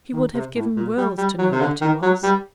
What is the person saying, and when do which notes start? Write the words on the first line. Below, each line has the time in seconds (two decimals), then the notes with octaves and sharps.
She would have given worlds to know what it was.
0.13 D#3
0.34 C3
0.55 A2
0.76 A#2
0.97 G3
1.18 G3
1.38 F#3
1.51 C3
1.60 D3
1.81 D#3
2.02 F#3
2.23 G3